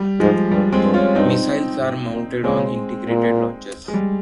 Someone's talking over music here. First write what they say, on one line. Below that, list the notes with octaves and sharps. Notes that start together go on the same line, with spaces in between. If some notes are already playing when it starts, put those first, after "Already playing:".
Missiles are mounted on integrated launchers.
Already playing: G3
G#2 F3 G#3
G2 G3
G#3 C4
G2
C#4 F4
G2 C4 D#4
G#2
A#2
C#3 G#3 C4
A#2
G#3
G3